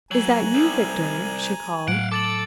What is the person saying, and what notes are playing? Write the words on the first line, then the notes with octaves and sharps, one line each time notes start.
"Is that you, Victor?" she called.
F#3 G#5 A#5 F#7
C2
A2 F#3 F5 F#5 D7
A4 D6 A6 F#7